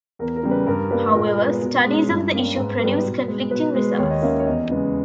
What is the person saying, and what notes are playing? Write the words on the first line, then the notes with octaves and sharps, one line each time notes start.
However, studies of the issue produce conflicting results.
E2 A#4
A#4
C#3 G3
B4
G2 A#4
G3 A#3 B4
A#2 A#4
G#3 B3
B2
G#3 C#4
G2
G3 A#3 C#4
G#2 B4
G3 B3
B2
G#3 B3
B2 B4
G#3 B3
D#2 C#5
D#5
D#3 A#3 C#4 E5
C#5
E2 D#5
C#3 G#3 B3